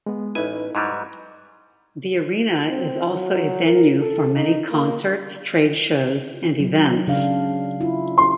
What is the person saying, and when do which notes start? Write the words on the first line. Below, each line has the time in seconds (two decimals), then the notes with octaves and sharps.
The arena is also a venue for many concerts, trade shows, and events.
0.06 G#3 B3
0.35 A1 D#4 E4 B4 G#5
0.75 G#2 F#3 G3
2.70 C4
3.11 F#3
3.65 A#4
4.01 A4
4.34 D#4
4.71 A#3
6.60 F#3
7.07 C#3 D4 F5
7.81 E4 F4
8.18 C6